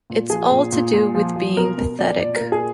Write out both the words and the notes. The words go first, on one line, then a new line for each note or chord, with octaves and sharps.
It's all to do with being pathetic.
A#2
F3 G#4
A#2
A#2
A#2
F3
F3
B2 A#4
B2
B2 D5
A#2 D5
A#2 A#4
G#4